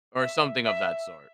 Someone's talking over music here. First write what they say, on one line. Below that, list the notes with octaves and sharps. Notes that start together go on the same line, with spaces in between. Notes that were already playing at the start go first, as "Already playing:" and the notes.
or something of that sort.
E5
E5